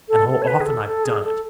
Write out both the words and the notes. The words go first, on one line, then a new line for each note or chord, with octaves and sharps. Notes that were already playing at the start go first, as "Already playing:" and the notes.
And how often I've done it!
A4
A4
C#5
B4
G#4
A4
A4
G#4
A4